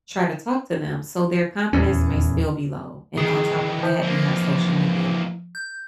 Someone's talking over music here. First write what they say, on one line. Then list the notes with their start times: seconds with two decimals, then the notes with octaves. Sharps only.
try to talk to them, so their confidence may still be low. And on top of that, you have social media
1.73 D#1 G#1 E2 C#4
3.17 D#3 E3 G#4
3.83 F3
4.02 E3 A#3
5.55 G6